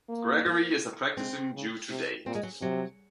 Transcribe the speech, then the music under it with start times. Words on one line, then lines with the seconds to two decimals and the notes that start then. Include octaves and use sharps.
Gregory is a practicing Jew today.
0.09 A#3
0.46 A#3
1.17 G#3 C4
1.54 C#3
1.90 C3
2.26 A#2 C4
2.35 G#3
2.43 F#3
2.61 C3 F#3